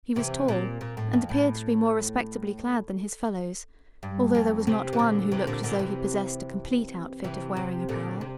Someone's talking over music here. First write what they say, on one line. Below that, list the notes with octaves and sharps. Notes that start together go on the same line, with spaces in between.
He was tall and appeared to be more respectably clad than his fellows, although there was not one who looked as though he possessed a complete outfit of wearing apparel.
C3 E3
A#2
A#2
A2
F2
A2
G2
F2
C3
E3
A#2 D3
C3 E3
A#2 D3
A#2 D3
C3 E3
C3 E3
C3
A#2 D3
C3